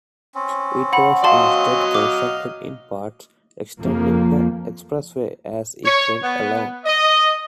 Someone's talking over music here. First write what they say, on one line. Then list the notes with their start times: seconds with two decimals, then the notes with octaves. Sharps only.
It was instead constructed in parts extending the expressway as it went along.
0.35 C4 C#4
0.93 F#5 B5
1.24 F#3 D#5 F5 A5 C6
1.95 F5 D6
3.79 F2 F3 A#3
5.85 C#5
6.23 B3
6.86 D#5